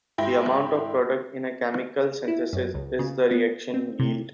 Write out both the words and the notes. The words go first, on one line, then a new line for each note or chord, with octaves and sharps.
The amount of product in a chemical synthesis is the reaction yield.
G#2 E4 G5 A#6
E4
F#2
C#2
C#3
B3
C4
C3